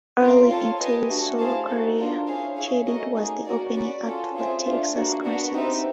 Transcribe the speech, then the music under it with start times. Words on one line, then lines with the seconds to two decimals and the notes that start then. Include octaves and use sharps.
Early into his solo career, Chedid was the opening act for Texas concerts.
0.19 C4 F4 A#4
0.49 F4 A4 C#5 F5 A5
0.78 G4 B4 D#5 G#5
1.08 A3 D4 F#4
1.38 E4 G#4 C5 F5 A5
1.67 D#4 F#4 A4
1.97 D4 F4 A#4
2.27 C#4 E4 G#4 C5 F5
2.57 E4 G#4 C#5 F5
2.86 A3 C#4 F#4 A#4 D#5
3.15 A#3 D#4 G#4
3.45 C#4 F#4 A#4 D5
3.75 F#4 B4 D5
4.05 C#4 F4 A4
4.34 C4 F4 G#4 C5 E5
4.64 A3 D4 F4
4.94 A#3 D4 F#4
5.24 B3 D4 F#4 A#4
5.53 C4 D#4 G4 B4 E5